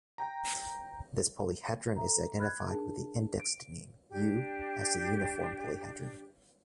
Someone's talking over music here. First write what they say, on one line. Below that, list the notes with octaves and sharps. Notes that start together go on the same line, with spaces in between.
This polyhedron is identified with the indexed name U as a uniform polyhedron.
G5 A#5
E5
A4 E5 A#5
B5 F6 F#6 G#6
D4 D#4 G#4 A#4 A5
D7
D4 G4